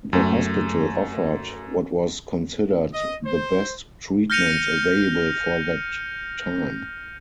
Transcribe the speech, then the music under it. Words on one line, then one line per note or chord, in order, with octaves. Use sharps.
The hospital offered what was considered the best treatments available for that time.
F#2 A3
D#5
C5
F6 G6 A#6 C#7 D#7 F7